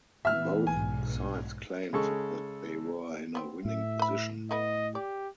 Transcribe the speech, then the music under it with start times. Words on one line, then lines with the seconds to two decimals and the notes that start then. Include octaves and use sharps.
Both sides claimed that they were in a winning position.
0.25 A#2 E3 B3 E5 F6
0.67 B1 G#2 G#5
1.93 C#3 G#3 A4 C#6
3.35 B3 C4
3.65 A2 E5
3.99 B4 B5
4.51 A3 B3 B4 D#5
4.95 G4 D5